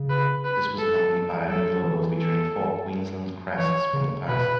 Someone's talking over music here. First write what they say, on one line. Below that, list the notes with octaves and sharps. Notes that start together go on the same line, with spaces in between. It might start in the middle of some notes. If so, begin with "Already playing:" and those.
This was accompanied by a new logo featuring four Queensland crests from the past.
Already playing: C#3
B4
B4
A4
F#3 A4
E3
A4
E3 C#5
C#3
B2 B4